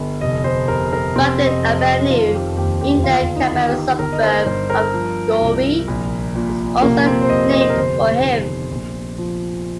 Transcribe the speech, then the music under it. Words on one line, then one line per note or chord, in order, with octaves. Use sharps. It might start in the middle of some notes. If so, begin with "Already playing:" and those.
Bugden Avenue in the Canberra suburb of Gowrie is also named for him.
Already playing: G1
F1 D#5
C5
F1 A#4
A#4
F1 C4
D#5
F2
D#5
D#3 F4
G4
D#2 G4
G4
G1 F4
D#4
D#3
G4
G1 A#4
D#5
C5
G2 C5
A#4
F3
C2
A#1
A#2
F1 A#3
C4
C5
F1 D#5
D#5
C5
A#4
G1 C5
D#3
A#1
F3